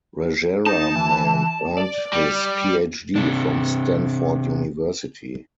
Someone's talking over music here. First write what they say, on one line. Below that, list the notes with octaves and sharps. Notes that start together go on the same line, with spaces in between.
Rajaraman earned his Ph.D. from Stanford University.
D#4 A5
E3
D5
G3
C3 D4